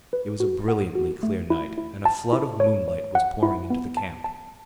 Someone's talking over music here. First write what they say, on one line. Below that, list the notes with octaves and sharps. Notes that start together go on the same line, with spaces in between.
It was a brilliantly clear night and a flood of moonlight was pouring into the camp.
B4
F#4
F#5
F#4
A3
E4
E4
A5
E4
C#5
C#5
F#5
E4
B3
A5
A5